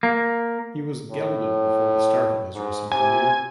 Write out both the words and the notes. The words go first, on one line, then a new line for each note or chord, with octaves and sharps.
He was gelded before the start of his racing career.
A#3
A2
G#2
C3 G#5